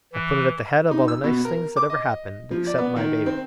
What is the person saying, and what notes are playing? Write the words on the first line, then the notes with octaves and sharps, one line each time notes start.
I put it at the head of all the nice things that ever happened, except my baby.
E3
D#4
E6
B2
A#4
D6
D#5
F3
D5
B3
D#3
C4